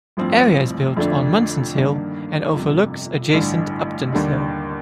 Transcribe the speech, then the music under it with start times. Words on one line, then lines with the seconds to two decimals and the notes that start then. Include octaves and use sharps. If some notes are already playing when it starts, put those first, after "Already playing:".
The area is built on Munson's Hill, and overlooks adjacent Upton's Hill.
0.17 A1 G2 F3 C4
0.97 F2 D3 A3 D4
1.75 G2 D#3 A#3 D4
2.54 G1 F2 C3
3.33 A1 G2 D3
4.12 D#2 D3 G3 D4